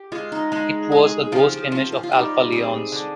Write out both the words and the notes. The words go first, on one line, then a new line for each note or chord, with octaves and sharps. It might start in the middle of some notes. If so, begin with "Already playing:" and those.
It was a ghost image of Alpha Leonis.
Already playing: G4
G#3 F4
D#4
G#3 D#4
G#4
F3 F4
G4
F3 F4
F4
F4
G3 D#4
C4 G#4
D3